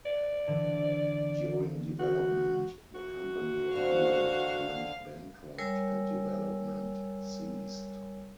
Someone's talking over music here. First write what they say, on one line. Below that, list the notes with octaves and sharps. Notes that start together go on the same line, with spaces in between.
During development, the company Appeal went bankrupt and development ceased.
D5
D3 E3
F#4
A#2 E3 F#4
F#2 D3 C4 F5
G3 A#4 C#5 G#5 E6